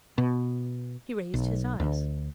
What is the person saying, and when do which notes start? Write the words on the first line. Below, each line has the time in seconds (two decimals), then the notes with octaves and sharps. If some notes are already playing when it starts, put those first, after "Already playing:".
He raised his eyes.
0.18 B2
1.34 B1
1.80 D2